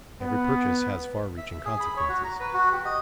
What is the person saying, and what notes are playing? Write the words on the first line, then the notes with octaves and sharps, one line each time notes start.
Every purchase has far-reaching consequences.
B3
E5
G#4
B5
C#5
F#4
A#5
B4
F#4
G4
D#5